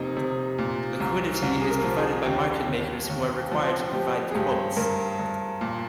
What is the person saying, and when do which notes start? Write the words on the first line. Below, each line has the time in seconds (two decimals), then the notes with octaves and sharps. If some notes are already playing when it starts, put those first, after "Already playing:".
Liquidity is provided by market makers who are required to provide quotes.
Already playing: F1 C3 A#3 D#4
0.17 C3
0.58 A#2
1.00 C2
1.42 C2
1.61 G#4
1.70 A#4
1.84 F3
1.98 G#4
2.26 D#2 G4
2.68 D#2
3.10 D#2
3.52 F3
3.93 F3 G4
4.31 G#4
4.35 G2 G4
4.77 G2 A#4
5.19 G2
5.61 A#2